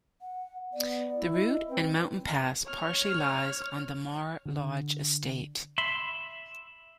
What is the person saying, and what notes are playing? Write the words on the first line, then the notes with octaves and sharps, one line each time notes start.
The route and mountain pass partially lies on the Mar Lodge Estate.
F#5
B3 D5
E4
D#5
C4 B4
C#5 F6
D3
E5 B5 C6